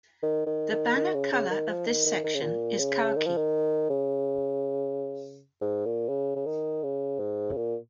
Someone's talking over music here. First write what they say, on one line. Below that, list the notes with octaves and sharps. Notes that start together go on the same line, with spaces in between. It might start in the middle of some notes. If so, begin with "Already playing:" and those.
The banner colour of this section is khaki.
D#3
D#3
D#3
D#3
C#3
C#3
D#3
F3
D#3
D#3
D#3
C#3
A#2
C#3
D#3
F3
D#3
C#3
G#2
A#2
C#3
C#3
D#3
C#3
G#2
C#3
A#2